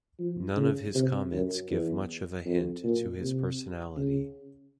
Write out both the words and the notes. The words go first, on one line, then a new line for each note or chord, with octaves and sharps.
None of his comments give much of a hint to his personality.
F3
C#3
C3
F#2
E2
F2
A#2
C3
C#3